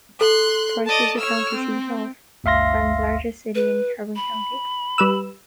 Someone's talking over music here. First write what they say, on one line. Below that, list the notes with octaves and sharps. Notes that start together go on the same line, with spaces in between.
Price is the county seat of, and largest city in, Carbon County.
A4 C6 F#6
D5 D#5 A5
C#5 E6 F6
C4
G1 D2 E5 F5 C6 A#6
B4
B5
G3 B4 E6